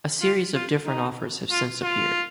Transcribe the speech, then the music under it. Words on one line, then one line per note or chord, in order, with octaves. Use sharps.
A series of different offers have since appeared.
F4
F4
D#4
F4
F4